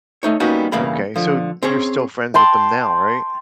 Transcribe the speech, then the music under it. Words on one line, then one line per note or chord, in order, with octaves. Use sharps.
Okay, so you're still friends with them now, right?
A3 D#4 C#5
G3 A#3 B3 C#4 D#4 F#4
E2 G2 C#3 A#3 B5
D3 F3
C4 C#4 G#4 C#5
G5 A5 C6